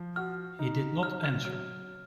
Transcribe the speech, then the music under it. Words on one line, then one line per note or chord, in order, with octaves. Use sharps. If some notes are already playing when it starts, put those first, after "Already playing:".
He did not answer.
Already playing: F3
F#4 F6
D#4
F#3 F6
F6
F#3 F6